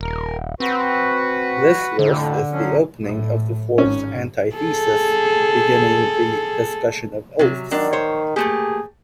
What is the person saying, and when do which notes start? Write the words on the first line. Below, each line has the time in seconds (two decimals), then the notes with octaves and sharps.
This verse is the opening of the fourth antithesis, beginning the discussion of oaths.
0.01 D#1 A#4
0.60 C4 F#4 B4
1.99 F2 A2 D3
2.52 F3 F#3 C#4
3.03 A2
3.78 G#1 C#4
4.56 G#4 A4
7.39 C3 F#3
7.71 D#3 F#3 D4
7.93 C5 C#5
8.36 A3 A#3 G4 G#4